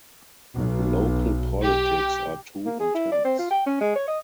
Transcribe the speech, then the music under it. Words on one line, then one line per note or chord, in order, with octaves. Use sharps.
Local politics are too intense.
B1
G4
A#3
G#4
E4
D5
C4
F4
G5
C#4
G#3
C#5
D#5